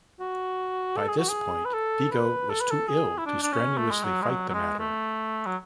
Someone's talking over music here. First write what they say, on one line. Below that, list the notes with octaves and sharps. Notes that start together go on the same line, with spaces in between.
By this point, Vigo was too ill to strenuously fight the matter.
F#4
A4
G#4
F#4
G#4
B4
A4
B4
A4
B4
A4
G#4
E4
D4
D4
C#4
A3
G#3
F#3
G#3
F#3
F#3
G#3
A3
F#3